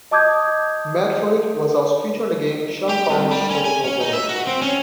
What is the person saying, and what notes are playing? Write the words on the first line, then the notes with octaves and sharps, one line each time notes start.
"Mad For It" was also featured in the game "Shaun Palmer's Pro Snowboarder".
D#5 A5 D6 D#6 G6 G#6
G4
C2
G3
C#4
G#5
C#4
D#4
E5
F#4
C4
C#4